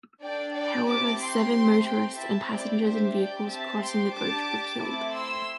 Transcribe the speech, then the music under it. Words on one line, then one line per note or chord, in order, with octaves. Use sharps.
However seven motorists and passengers in vehicles crossing the bridge were killed.
D4 A4 D5 G5
D5 G5
C4 E4 G4 A5 D6
G5 C6
A3 C4 G4
G5 C6
C4 E4 G4 E5 A5
D5 G5
D4 G4 C5 E5
D5 G5
C4 G4 E5 A5
G5 C6
D4 G4 A5 D6
A3 C4 E4 A5 D6
C6 E6